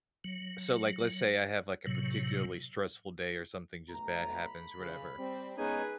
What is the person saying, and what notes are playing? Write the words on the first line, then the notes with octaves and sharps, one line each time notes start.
so, like, let's say I have, like, a particularly stressful day or something, just, bad happens, whatever.
F#3
A2 C3 F#3
B1 A3 A#5
B5
C#2 C#3
G3 C4
G#3 B3 C#4 D#4 G#4 B4 G#5